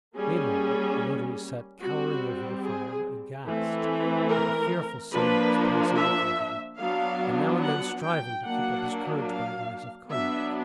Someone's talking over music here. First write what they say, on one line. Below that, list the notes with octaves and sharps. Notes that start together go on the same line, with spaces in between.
Meanwhile the notary sat cowering over the fire, aghast at the fearful scene that was passing before him, and now and then striving to keep up his courage by a glass of cognac.
G3 A#3 C#4 G#4
G3 C4 F#4
G#4
E3 A3 C4
A#4
F3 A#3 D4 B4
E5
F#3 B3 D4 F5
F#5
G5
F#3 A#3 D4 F#5
F5
F#3 B3 D4 E5